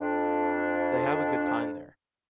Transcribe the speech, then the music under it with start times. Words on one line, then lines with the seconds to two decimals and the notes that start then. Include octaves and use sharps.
They have a good time there.
0.01 F2 D4